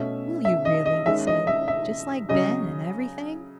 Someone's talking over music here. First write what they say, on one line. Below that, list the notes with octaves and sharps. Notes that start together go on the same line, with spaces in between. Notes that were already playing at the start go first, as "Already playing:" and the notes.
"Will you, really?" he said, "just like Ben--and everything?"
Already playing: B2 A3 C#4 E5
E5
D#5
D#5
D#3 G#3 C#4 E5
D#5
E5
E5
C#3 F#3 C#4 D#5